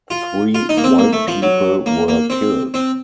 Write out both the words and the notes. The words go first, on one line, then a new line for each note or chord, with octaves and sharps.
Three white people were killed.
F4
F4
D#4
A#3
C4
A#3
A3
F3
F#3
A#3
A#3
C4
C4